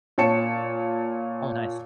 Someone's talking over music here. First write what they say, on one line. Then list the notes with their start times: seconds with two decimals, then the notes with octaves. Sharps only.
Oh, nice.
0.18 A#2 C#5 A5 C#7 E7